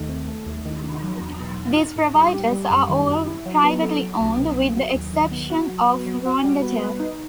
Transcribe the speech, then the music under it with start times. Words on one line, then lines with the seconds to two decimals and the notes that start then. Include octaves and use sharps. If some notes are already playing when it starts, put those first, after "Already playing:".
These providers are all privately owned, with the exception of Rwandatel.
Already playing: D#2 D#3 A3
0.09 C4
0.28 A3
0.46 D#2
0.65 D#3
0.84 D#4
1.03 F#3
1.21 E2
1.40 B2
1.58 E2
1.77 D#4
1.96 A2
2.14 G3
2.33 G4
2.52 G3
2.70 F#2
2.89 D#3
3.08 F#2
3.27 E4
3.46 F#3
3.64 B3
3.82 A4
4.02 F#3
4.20 C2
4.38 B2
4.57 B3
4.76 F#3
4.94 D#2
5.13 D#3
5.31 B3
5.50 F#4
5.69 F#3
5.88 B3
6.06 F#3
6.26 F#4
6.44 G3
6.62 B3
6.81 B4
7.00 D#4